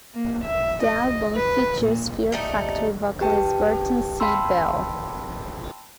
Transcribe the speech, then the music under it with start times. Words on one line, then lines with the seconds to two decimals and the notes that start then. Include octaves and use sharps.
The album features Fear Factory vocalist Burton C. Bell.
0.14 A#3
0.44 E5
0.83 D#5
1.35 B4
1.82 A#2
2.32 G3 A3 D#4
3.21 G4 B4 G5 A5
4.20 F5 G5 A5 B5 C6 E6